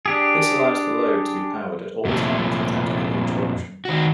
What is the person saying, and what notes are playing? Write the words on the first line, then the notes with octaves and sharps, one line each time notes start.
This allows the load to be powered at all times without any interruption.
D4 G4 G#4
F2 A#2 A3
D#3 F#4